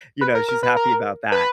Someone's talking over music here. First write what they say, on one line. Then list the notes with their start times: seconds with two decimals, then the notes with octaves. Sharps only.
you know, she's happy about that.
0.21 B4
0.35 A#4
0.49 A#4
0.63 B4
0.77 A#4
1.32 B4